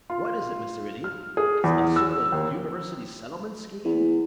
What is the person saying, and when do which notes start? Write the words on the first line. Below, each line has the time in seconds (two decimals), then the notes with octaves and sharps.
"What is it, Mr. Idiot--a sort of University Settlement Scheme?"
0.10 F4
1.04 F6
1.37 G#4
1.64 E2
1.96 E6
2.32 D#2
3.85 E2